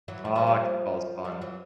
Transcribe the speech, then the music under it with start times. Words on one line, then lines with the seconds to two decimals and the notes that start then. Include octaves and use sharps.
Ah, kickball is fun.
0.08 E3 F#3
0.25 F3 G3
0.36 F3 G3
0.47 F3 G3
1.25 F3 G3
1.41 E3 F#3